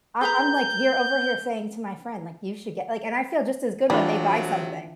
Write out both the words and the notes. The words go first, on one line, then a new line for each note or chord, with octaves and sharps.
I I'm, like, here over here saying to my friend, like, "You should get" like, and I feel just as good when they buy something.
G#4 B4 A#5 G6
A2 C3 E3 F#3 G3 D4 F4